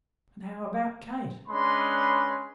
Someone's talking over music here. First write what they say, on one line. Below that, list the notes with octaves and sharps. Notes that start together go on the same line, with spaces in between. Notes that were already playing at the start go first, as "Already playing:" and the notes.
'And how about Kate?'
G#3 C#4 D4 B4 B5 C6